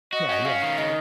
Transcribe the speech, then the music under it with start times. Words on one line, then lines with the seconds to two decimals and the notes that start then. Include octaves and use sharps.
Yeah, yeah.
0.12 F#4 D#5
0.29 C#4 D#5
0.45 C#4 F5
0.62 D#3
0.78 C#3 D#5